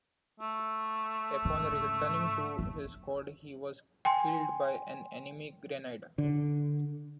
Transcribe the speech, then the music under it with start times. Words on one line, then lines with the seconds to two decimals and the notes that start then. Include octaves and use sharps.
Upon returning to his squad, he was killed by an enemy grenade.
0.40 A3
1.45 G#2 C#3
2.59 F#1 B3
4.05 G5 G#5 C6
6.18 D3